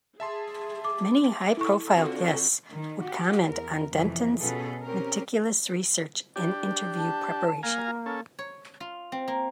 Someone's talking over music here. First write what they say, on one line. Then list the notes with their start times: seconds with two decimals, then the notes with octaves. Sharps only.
Many high-profile guests would comment on Denton's meticulous research in interview preparation.
0.20 G#4 E5 A5 C6
0.84 D6
1.57 E4 A4 C#6
1.97 D3 C4 F4 F#4
2.70 D#3
3.02 F#4 G4
3.46 E2 A#4
3.91 F2 C3 E3
4.39 B2 C#4 F4 G#4 A4 B4
4.84 C4 C#4 G4 A#4
6.36 D4 G4
6.97 A5
7.63 A#3 F5 G#5 A#5
8.06 C#4 A4
8.39 C#5
8.80 F4
9.12 C4
9.28 A#3